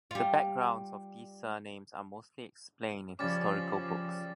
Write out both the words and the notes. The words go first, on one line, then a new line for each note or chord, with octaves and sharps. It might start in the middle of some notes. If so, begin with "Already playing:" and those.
The backgrounds of these surnames are mostly explained in historical books.
G3 F4
C#3 F3 G3 C#4 D6 A6